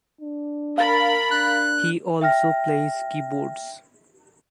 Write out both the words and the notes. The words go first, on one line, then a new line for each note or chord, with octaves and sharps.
He also plays keyboards.
D4
A#4 F5 B5 A6
D4 F#6
E5 G5 F6 A#6